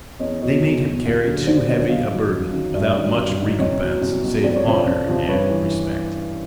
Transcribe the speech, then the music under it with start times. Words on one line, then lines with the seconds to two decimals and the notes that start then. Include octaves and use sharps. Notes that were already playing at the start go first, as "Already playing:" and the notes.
They made him carry too heavy a burden, without much recompense save honor and respect.
0.20 E2 C#5 D#5
0.41 B2 F#3 C#5 D#5
0.62 E2
0.83 B2 F#3
1.05 D#2
1.25 D3 F#3
1.47 D#2 C5 D5
1.68 D3 F#3 C#5 D#5
1.89 F#2 D#5 F5
2.10 D#3 F#3
2.32 F#2
2.53 D#3 F#3
2.74 G2 D5 E5
2.96 D#3 F#3
3.17 G2
3.38 D#3 F#3
3.59 C2 C#5 D#5
3.80 B2 F#3
4.01 C2
4.23 B2 F#3
4.43 F2 D5
4.56 C#5
4.65 C3 F3 C5 D5
4.86 F2
5.08 C3 F3
5.28 G2 B4 C#5
5.50 E3